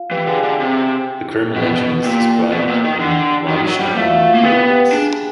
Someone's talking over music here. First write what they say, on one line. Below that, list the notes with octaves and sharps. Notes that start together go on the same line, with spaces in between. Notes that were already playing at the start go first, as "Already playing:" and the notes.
The Kurma legend is described in Vaishnava Puranas.
Already playing: F4 F5
E3 G4 G5
D3 G#4 G#5
D3 G4 G5
C3 G4 G5
B2
A#2 G4 G5
B2
A#2
D#3
D3 G4 G5
D#3 F#4 F#5
F#3
G3
A3 F4 F5
F4 F5
F4 F5
A#3
B3 G4 G5
G4 G5
D4 G#4 G#5